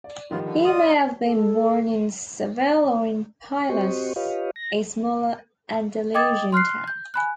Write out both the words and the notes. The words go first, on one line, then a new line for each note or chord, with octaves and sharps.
He may have been born in Seville or in Pilas, a smaller Andalusian town.
D5
A2 D#3 F3 G3 B3 F4
D3
F4 D5 D#5 D#6
A4
C4 F#4 G4 C5 D#5 C#6
F4 G4 B4 C#5 D#5 F5
A#6
D#5 G5 D6 D#6 G#6 A6
C6 F6 F#6 C7
G6
G#5 B5 F#6